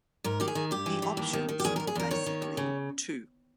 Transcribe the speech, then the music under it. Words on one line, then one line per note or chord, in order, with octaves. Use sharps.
The options were basically two.
G#2 A#4
D#3 G4
G#4
D#3
G2 G4
E3
E3
D#2
D#3
D#3
G4
E2 G#4
A#4
E2
G#4
E2 A#4
D#3 C#5
D#3
D#2
C#3